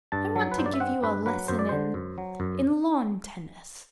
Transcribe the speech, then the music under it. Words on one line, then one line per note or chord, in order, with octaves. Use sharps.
"I want to give you a lesson in--in lawn tennis."
G2 A5
F#3
B4
G2 C5
D5
E5
C4 F#5
G2 B4
F#3 B4
F#2 C5
D5
D3 C5
F#2
F#3
F#2